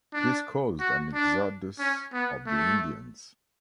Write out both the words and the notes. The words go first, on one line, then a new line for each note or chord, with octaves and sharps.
This caused an exodus of the Indians.
D4
F#4
D4
C#4
B3
A3